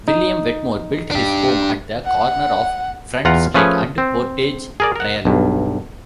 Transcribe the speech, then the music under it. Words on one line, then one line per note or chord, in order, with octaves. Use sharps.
William Wetmore built his home at the corner of Front Street and Portage Trail.
D#4
D4 G4
F#5
E2 F4 F#5 A#5
F3 A3 C#4 G#4 B4
C4
G#4 A#4 D5
A#4 F#5
B1 G2